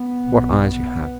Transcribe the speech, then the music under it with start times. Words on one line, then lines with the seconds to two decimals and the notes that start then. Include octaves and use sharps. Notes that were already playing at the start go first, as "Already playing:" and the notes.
What eyes you have!
Already playing: B3
0.23 B1 B2
0.60 B3